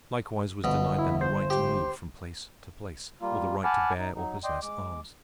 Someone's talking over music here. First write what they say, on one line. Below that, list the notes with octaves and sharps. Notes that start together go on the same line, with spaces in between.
Likewise was denied them the right to move from place to place, or the right to bear or possess arms.
G1 B2
E4
C5
G4
G3 A#3 F4
F#5 G#5 A5 B5 D6 F6
D#4
F#3 D#4
D5 D#5 G5 C6
G#3 D6